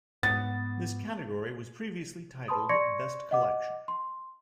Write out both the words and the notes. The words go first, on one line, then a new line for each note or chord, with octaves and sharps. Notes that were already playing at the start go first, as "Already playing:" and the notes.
This category was previously titled "best collection".
G#2 B3 A6
B4 A5 B5 C6 D#6
D5 C6 C#6 G#6 A#6 C#7
D#5 F#5 D6
C6